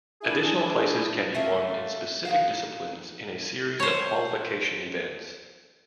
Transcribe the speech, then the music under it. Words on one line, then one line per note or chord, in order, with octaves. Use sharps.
Additional places can be won in specific disciplines in a series of qualification events.
D4 E4 G#4
A3 A#3 A4
D#4 F#4 F5
C5 C#5